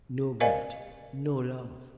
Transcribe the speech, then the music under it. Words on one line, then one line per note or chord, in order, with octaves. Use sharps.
No God! no Love!
A#4 C5 D5 D#5 F5 G#5